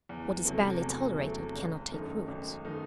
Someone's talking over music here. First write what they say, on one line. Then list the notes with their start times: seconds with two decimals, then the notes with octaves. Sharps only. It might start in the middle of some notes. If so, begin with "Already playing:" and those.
What is barely tolerated cannot take root.
0.09 E2
0.45 C3 F#3 A3
0.81 E2
1.18 C3 F#3 A3
1.55 G#1
1.92 F#2 D#3 A3 D#4
2.28 G#1
2.65 D#3 A3 D#4